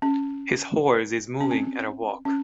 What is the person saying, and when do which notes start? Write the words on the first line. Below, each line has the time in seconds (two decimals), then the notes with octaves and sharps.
His horse is moving at a walk.
0.02 C#4
1.41 C#4
1.51 C4
2.25 C#4